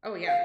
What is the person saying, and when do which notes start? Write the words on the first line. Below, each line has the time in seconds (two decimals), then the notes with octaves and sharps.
Oh yeah.
0.27 F5